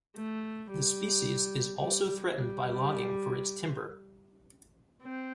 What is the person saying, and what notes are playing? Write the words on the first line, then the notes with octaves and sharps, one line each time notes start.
The species is also threatened by logging for its timber.
A3
G3
G3
G3
C4